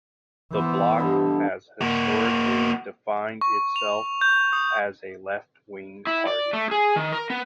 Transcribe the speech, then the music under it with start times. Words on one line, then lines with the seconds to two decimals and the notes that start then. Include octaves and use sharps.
The Bloc has historically defined itself as a left-wing party.
0.53 E3 B3 C5
0.99 G2 D3 D#5
1.81 A#3 F#4
3.41 C#6
3.76 F7
4.21 G6
4.53 D#6
6.07 E4
6.27 D5
6.53 A3
6.71 G#4
6.96 D#3
7.13 A#4
7.30 B3